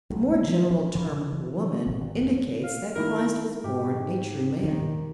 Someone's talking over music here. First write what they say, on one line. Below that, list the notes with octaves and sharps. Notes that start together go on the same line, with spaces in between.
The more general term "woman" indicates that Christ was born a true man.
B1
A#2
C#4
C#3
E3
G#1
F2
F5
D#3 A#3 E4 A#4
G#2 G4
D#2 D#3